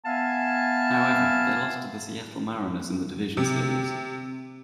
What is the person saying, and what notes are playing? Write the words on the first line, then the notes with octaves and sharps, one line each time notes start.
However, they lost to the Seattle Mariners in the Division Series.
B3 E5 F5 G#5 A5
C3